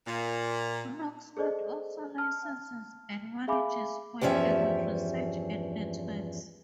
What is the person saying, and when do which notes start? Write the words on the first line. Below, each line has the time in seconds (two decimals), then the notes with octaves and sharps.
LookSmart also licenses and manages 'white label' search ad networks.
0.07 A#2
1.37 G#4 A4 C5 D5 D#5
2.18 A5 F6
3.48 G#4 E5 F5 G#5 B5 D6
4.21 E2 G2 F3 C#4 E5